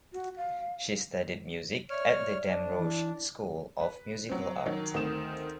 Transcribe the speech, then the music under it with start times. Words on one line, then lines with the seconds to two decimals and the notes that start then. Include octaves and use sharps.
She studied music at the Damrosch School of Musical Art.
0.13 F#4
0.37 F5
1.90 C#5 D5 E5 F6
2.49 D4
2.77 E3
3.81 B4
4.29 F#3 C4
4.66 D#3 F#3
4.94 D2 D#3 C4 D#6 E7